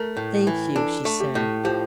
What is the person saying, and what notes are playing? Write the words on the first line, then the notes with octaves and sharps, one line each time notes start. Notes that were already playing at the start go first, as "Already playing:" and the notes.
"Thank you," she said.
Already playing: A3 A#4
A2
E3
D4 A4
A3
G4
A2
F3 G4